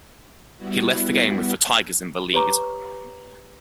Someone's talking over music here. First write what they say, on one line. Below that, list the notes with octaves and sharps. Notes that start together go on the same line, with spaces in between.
He left the game with the Tigers in the lead.
G3 B3 E4 F#4
G4 B4 C#5 A#5 C#6 D6